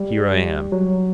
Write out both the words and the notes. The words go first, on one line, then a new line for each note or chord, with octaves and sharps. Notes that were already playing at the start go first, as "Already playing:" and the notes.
Here I am.
Already playing: G3
F#3